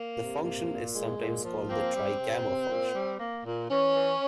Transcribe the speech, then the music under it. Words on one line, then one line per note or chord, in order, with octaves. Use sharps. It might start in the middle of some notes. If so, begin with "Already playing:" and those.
The function is sometimes called the trigamma function.
Already playing: A#3
C3
A#3
A#2
G#3
A#2
F3
A#3 C4
G3
C3
C3
A#2
G3
A#3
A#2
E3 C#4
E3